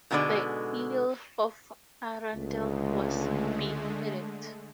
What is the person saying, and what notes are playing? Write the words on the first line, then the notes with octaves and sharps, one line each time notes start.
The Earl of Arundel was beheaded.
G#2 B2 D3 G#3 D5
C#2 D3 G#3 A3